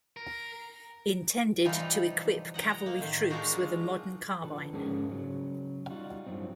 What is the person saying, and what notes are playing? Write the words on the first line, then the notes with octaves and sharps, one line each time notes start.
Intended to equip cavalry troops with a modern carbine.
A#4
C3 E3 F3 G3 D#4 F4
D#5 F#5 G5 A#5
A#3
A2 D#3 C5
G#3 D4 D#4 F4 F#4 A#4
D3 F3 A4 B4
G#2 C#4 G#4 A#4 C5 A5
C#3 F#3
G3 D#4 F4 F#4
G2 F3 F#3 C4